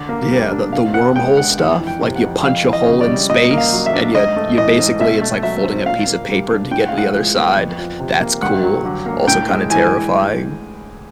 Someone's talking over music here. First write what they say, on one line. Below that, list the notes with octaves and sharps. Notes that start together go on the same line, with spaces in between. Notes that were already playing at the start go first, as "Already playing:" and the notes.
Yeah, the the wormhole stuff, like, you punch a hole in space, and ya you basically it's like folding a piece of paper to get to the other side. That's cool, also kinda terrifying,
Already playing: D3
A#3
G3
D4
B2 F5
B3 F#5
G#3 G5
D4 F#5
F2 F#5
E3
G5
C3
F#5
F2
F2 F5
E3
D#5
C#3
D5
G3
A#2 D#5
A#3
F5
F#3
E5
D4
G#2 D#5
A3
E3 D#5
G#2
B2 E5
A3
F#3 E5
C4
A#2 F5
A#3
G3
D4
A2 G5
F#5
F5
G#3
F#5
F3
B3
F2
F3
C3
A#3
G2 F#5
F#3
D3
A#3
A2 G5
G#3
E3 G#5